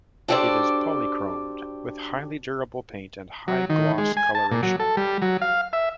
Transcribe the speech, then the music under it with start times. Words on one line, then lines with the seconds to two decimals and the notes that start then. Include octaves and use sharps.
It is polychromed with highly durable paint and high gloss coloration.
0.28 D4 F#4 G4 A4 C5 D5
3.48 F#3
3.70 D#3
3.98 G#3
4.17 G#5
4.35 A5
4.52 A#2
4.63 F#3
4.80 A4
4.97 G3
5.22 F#3
5.42 F5
5.73 E5